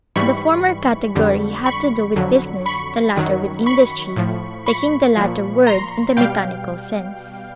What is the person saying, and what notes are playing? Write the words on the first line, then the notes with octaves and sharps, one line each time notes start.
The former category have to do with "business," the latter with industry, taking the latter word in the mechanical sense.
G#2 E3 G3 B5 C#6
F2 D3 G3
B5 C#6
F2 D3 F#3
B5 C#6
F#2 D#3 F#3
B5 C#6
A2 F3
B5 C#6
A#2 F3
A#5 C6
B2 G3 F5 G5